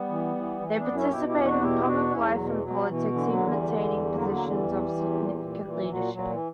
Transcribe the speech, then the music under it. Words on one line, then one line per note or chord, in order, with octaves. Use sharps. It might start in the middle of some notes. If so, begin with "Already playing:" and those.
They participated in public life and politics, even attaining positions of significant leadership.
Already playing: G3 B3
E3
E3
E3
B3 D4
F#2
C#4 E4
B2 E4 G4
E4 G4
E2
D4 F#4
B2 E4 G4
E2 D4 F#4
E2 C#4 E4
F#3
B2
E3
B2 F#3
B2 E3
D3 E3
F#3
E2
E3 G3
D3
E2
D3 F#3 A#3
B3
F#3 A#3
E2
E3 G3
E2
E2
A#2
A#2
A#2 E3
A#2 F#3
A#2 F#3
E3